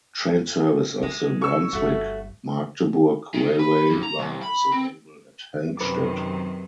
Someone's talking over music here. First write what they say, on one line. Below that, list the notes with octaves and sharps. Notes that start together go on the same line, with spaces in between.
Train service of the Brunswick-Magdeburg railway line is available at Helmstedt.
D3 G#3
C#6 E6
G1 A3 D#4 F#4
D#3
B4
F2
A#5
C2
B5
C4
F#2 C3 D#3 B4 D6